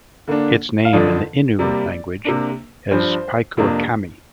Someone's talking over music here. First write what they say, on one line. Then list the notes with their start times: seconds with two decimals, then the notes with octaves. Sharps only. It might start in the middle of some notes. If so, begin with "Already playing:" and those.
Its name in the Innu language is Piekuakami.
0.27 D3 A#3 D4
0.85 F5
0.93 F2 D3 F3 D5
1.59 C3 G3 A#3 D5
2.25 C3 A#3 D4
2.91 G2 F3 D4 C5
3.57 F2 C3 A#3 D4